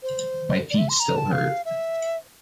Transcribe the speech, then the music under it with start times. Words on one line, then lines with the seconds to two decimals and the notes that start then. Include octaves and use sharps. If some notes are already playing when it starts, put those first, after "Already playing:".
My feet still hurt.
0.03 C5
0.70 D5
0.78 E5
0.89 C6
1.00 A#5
1.16 A5
1.32 F5
1.65 E5